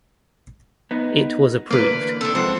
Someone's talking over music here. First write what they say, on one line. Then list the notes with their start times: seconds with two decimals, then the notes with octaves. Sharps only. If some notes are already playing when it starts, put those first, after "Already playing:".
It was approved.
0.91 B3 D#4
1.71 D3 E3 A#3 B4 D5
2.21 C3 D4 A4
2.35 G#2 F3 C4 F#5